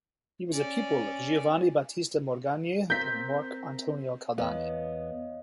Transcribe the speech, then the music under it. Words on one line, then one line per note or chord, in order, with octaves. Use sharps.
He was a pupil of Giovanni Battista Morgagni and Marc Antonio Caldani.
C#4 D5
C4 A#4 G6 B6
E2 B3 C#5 D#5 F5